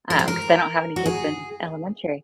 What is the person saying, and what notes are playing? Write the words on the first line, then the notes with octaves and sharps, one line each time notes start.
um, 'cause I don't have any kids in elementary.
A#4
C5
A#4
F#4
G#4